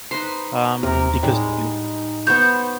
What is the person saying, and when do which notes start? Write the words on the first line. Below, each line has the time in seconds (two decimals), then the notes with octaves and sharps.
um, because, you know
0.11 D#4 B4 C5 C6
0.83 D#2 C3 A#4
1.23 A2 G3 G#3 D#4
2.27 B3 C5 C#6 G6